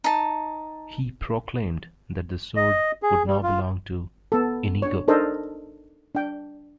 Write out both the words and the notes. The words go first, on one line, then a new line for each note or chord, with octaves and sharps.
He proclaimed that the sword would now belong to Inigo.
D#4 A5
D#5
G#4
G3
F4
B3 A4
D4 C#5
D4 D#4 A4 A#4 C5 D#5
D4 G5